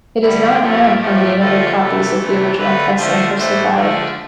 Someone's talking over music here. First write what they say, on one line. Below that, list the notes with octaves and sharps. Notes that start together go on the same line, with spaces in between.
It is not known how many other copies of the original pressing have survived.
D3 G3 E4
A2 F3 A3 G4
A2 F3 A3 G4
D3 F3 A3 A4
C3 E3 A3
C3 E3 A3
D3 A3 B4
D3 F3 A3 C5
A2 E3 A3 C5
D3 F3 A3 D5